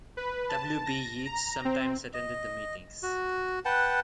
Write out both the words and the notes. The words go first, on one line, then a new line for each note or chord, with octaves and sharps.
W. B. Yeats sometimes attended the meetings.
B4
A5
A#6
A#5
C4
D#5
F#4
B4 F#5 G5 A5